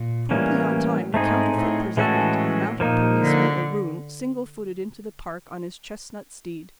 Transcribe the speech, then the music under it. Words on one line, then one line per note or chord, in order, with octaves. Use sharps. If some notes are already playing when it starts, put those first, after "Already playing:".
Promptly on time the counterfeit presentment of Mounted Policeman O'Roon single-footed into the Park on his chestnut steed.
Already playing: A#2
A2 E3 G3 A#3 C#4
G#2 A3 C4 D#4 G#4
A2
A2 E3 G#3 C#4 F#4 A4
A#2 F3 A#3 D#4
D3